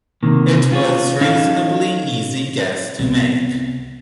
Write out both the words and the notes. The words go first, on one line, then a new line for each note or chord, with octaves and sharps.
It was a reasonably easy guess to make.
C3 D#3 A#3
C#4 F4 F#4 G#4 C#5
C#4 D#4 A4 F5
C2 B3